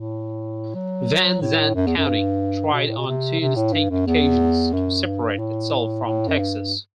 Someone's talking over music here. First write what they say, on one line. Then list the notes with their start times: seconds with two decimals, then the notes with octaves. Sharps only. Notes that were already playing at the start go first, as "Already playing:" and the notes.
Van Zandt County tried on two distinct occasions to separate itself from Texas.
Already playing: A2
0.75 F#3
1.41 A2
1.75 F#2
1.87 E2
1.97 F#2
2.07 G2
2.73 B2
2.88 A2
2.97 B2
3.07 C3
3.40 C3
3.56 A2
3.73 G2
3.90 F#2
4.07 E2
4.73 F#2
5.05 G2
5.39 A2
6.05 A2
6.28 F#2
6.39 G2